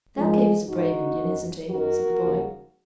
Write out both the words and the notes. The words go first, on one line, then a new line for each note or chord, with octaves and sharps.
"Thalcave is a brave Indian, isn't he?" said the boy.
G#2 D#3 F3 G#3
G#2 D#3 D#4 F#4
F#2 D#3
F#2 D#3 F#4 A#4
D#2 C#3 F3